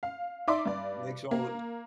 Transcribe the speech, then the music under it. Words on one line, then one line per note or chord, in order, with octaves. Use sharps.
makes all of the
F5
D#4 D5 E5 C6 D6
G2 D5
A#3